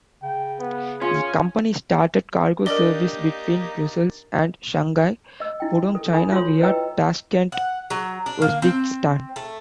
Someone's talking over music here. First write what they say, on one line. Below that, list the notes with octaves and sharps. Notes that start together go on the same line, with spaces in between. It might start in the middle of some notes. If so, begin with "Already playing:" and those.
The company started cargo service between Brussels and Shanghai Pudong, China via Tashkent, Uzbekistan.
C#3 G5
B3
C#4 F4 G#4
A#3 D4 D#4 G4 A#4 D5 D#5 G7
D#5 E6
D#4 E4 G5
A4
E4 G#5 B5 D#6
F4 C#5 C6
E4 B4 D#5 G5 A#5 E6
F#5
F#3
D4
A#3
C4
A3